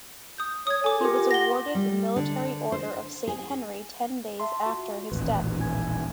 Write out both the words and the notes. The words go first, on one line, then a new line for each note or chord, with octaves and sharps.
He was awarded the Military Order of Saint Henry ten days after his death.
D#6 G6
C#5 D#6 G#6
A4 G#5 D6
F4 G4 A#4
F#5 A#6 G7
G3
D3
C5
G#4
E5 A5 C6
F4 F#4
D#1 A1 B4
A3 G#5 G#6